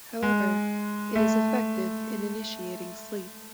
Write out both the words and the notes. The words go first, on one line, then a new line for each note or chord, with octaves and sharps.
However, it is effective in initiating sleep.
G#3
A3